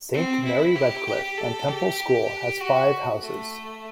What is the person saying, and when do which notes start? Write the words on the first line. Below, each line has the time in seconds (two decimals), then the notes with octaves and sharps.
Saint Mary Redcliffe and Temple School has five houses.
0.14 C4
0.45 E4
0.76 G4
1.06 G4
1.37 A4
1.68 G4
2.61 F#4
3.22 A3